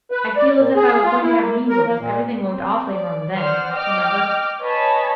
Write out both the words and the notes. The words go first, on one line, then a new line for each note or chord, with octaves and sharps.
I feel as if I was going to have measles; everything looked awfully rum then, remember.'
B4
D5
A#2
G#4
F4
E4
A#3
A#4
A#3
A#2
C4
D5
C5 D5 F#5 F6
D#5 G5 D6 F6
B4 C#5 D#5 G#5 A5 B5